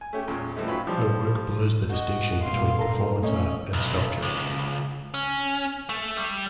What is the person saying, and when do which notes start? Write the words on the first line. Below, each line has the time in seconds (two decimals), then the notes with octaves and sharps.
Her work blurs the distinction between performance art and sculpture.
0.01 G#5
0.13 A3 C#4 G4
0.28 E2 A#2 G#3 C#4
0.56 A2 E3 F3 G3 A3 D#4
0.68 F#2 C#4 F4 G4 B4
0.87 F3 G3
1.89 F#4 D#5
2.43 G2 A#2 F5 C6
2.79 A4 A#4 A#5
3.23 A3 C#4 D#5
3.73 B1
4.22 C#2
5.14 C#4
5.89 A3
6.17 G3